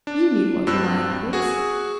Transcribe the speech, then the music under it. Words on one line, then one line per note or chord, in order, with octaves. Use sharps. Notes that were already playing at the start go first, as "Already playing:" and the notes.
You knew what were my habits.
D4
G2 C4 E6 F#6
F#4 G#4